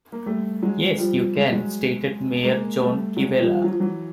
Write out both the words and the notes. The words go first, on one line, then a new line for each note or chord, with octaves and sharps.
Yes, you can, stated Mayor John Kivela.
A#3
G3 A3
F#3 G#3
F3 G3
G#3
G3
F#3 G#3
G#3 A#3
G3 A3
F#3 G#3
F3 G3
F#3
F3
E3 F#3